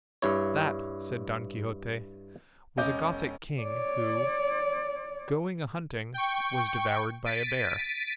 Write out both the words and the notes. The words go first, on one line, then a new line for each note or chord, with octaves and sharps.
"That," said Don Quixote, "was a Gothic king, who, going a-hunting, was devoured by a bear."
G2 E4 C#5
E1 C#4 D#5 D6 G6
C#5 D5
G5 C#6
A6 B6 D7 D#7